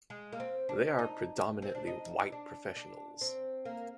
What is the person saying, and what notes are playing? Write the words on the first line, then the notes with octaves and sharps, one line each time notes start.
They are predominantly white professionals.
G#3
A#3
C4
D4
D#4
C4
D4
D#4
D4
D4
C4
A#3